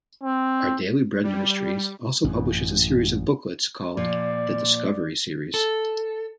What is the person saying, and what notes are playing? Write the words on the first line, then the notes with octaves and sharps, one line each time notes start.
Our Daily Bread Ministries also publishes a series of booklets called "The Discovery Series".
C4
G3
A1 F#2
A#2 F3 D5
A4